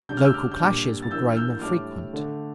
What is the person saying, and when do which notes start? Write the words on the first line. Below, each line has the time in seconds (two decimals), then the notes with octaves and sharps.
Local clashes were growing more frequent.
0.09 C#3 G3 D4 G6
0.17 F6
0.24 E6 G6
0.34 D6 F6
0.52 G6
0.59 A#2 G3 D4 D6 F6
1.02 A6
1.11 E3 A#3 D4 E6 G6
1.32 F6
1.36 E6 G6
1.50 G6
1.61 A2 G3 D4 D6 F6
2.13 D3 A3 D4